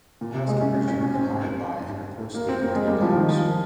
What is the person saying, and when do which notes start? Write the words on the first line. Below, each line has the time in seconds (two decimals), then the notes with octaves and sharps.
The housekeeper is generally hired by and reports to the lady of the house.
0.21 A#2
0.34 C3
0.48 G#3
0.61 C#4
0.88 C#4
1.01 C#4
1.14 C4
2.35 A#3
2.49 C4
2.62 A#3
2.75 G#3
2.88 G3
3.02 F3
3.16 D#3
3.29 F3